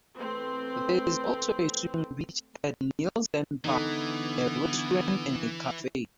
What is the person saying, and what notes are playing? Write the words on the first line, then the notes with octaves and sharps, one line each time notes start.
There is also a swimming beach at Nielsen Park, a restaurant and a cafe.
E2 A3 C4 B4
D3 E3 B3 D#4 A4